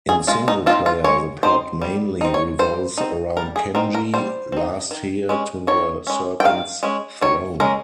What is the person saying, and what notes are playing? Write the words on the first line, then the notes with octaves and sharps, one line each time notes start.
In single-player, the plot mainly revolves around Kenji, last heir to the Serpent's Throne.
G#4
G#3 F4
D#4
C4 D#4 F4
F4
G#3 C#5
C4 D#4 C5
G3
C4 D#4
C#5
G3 C5
C4 D#4
G3 A#4
G#4
C4 D#4 A#4
A#4
G3 C5
C4 D#4
D#3
G#3 C#4
D#3 C#5
G#3 C#4
G5
D#3 F5
G#3 C#4
D#3 C#5
G#3 C#4 A#4